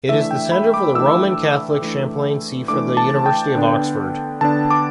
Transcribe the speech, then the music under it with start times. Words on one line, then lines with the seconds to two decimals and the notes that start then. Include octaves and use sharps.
It is the centre for the Roman Catholic chaplaincy for the University of Oxford.
0.09 E3 A3 D4 E5
0.31 G5
0.52 B5
0.74 D6
0.95 E3 A3 D4 E6
1.82 E3 A3 D4
2.68 E3 A3 D4 D6
2.97 A5
3.26 G5
3.55 D3 B3 D4
4.41 D3 B3 D4 A5
4.70 D6